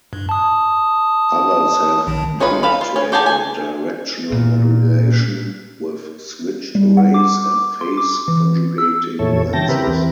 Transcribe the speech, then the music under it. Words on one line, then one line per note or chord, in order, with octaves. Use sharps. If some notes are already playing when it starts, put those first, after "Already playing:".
Others have demonstrated directional modulation with switched arrays and phase-conjugating lenses.
G2
A5 D#6
A#1 D#3
C#4 D#4 F4 B4
A4 B4 F5 B5
F4
C#4
D#4 G4 G#4 G#5 A5
G#5
A#2
G3
F#5
D6
C6
D6
E3
E6
F2 A#2 E3 A4 C#5
C#3 E3 G5 A5 A#6
C4 E4 G4 A#4 B4
E2 E3 C4